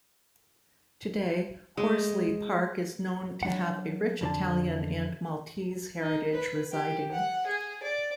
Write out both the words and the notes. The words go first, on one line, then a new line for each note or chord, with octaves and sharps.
Today, Horsley Park is known to have a rich Italian and Maltese heritage residing.
G#3
F#3 D4 F#5
F2 D3 A5
D#4
B4
G4
F#5
G#4
D5